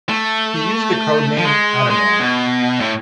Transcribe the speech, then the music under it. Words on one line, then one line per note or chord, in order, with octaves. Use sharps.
He used the code name "Ataman".
A3
F3
G#3
G#3
B2
A2